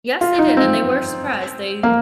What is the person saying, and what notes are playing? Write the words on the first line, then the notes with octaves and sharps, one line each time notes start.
Yes, they did and they were surprised. They
F4
D#4
C4
A#3